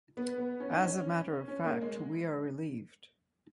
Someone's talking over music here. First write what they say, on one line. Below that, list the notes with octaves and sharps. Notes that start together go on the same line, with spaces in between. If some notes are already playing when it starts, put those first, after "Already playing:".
As a matter of fact, we are relieved.
B3
B3
C#4
D#4
C#4
C#4
A#3
G#3